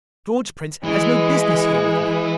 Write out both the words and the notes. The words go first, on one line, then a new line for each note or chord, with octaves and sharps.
George Prince has no business here with me!
E3 G#3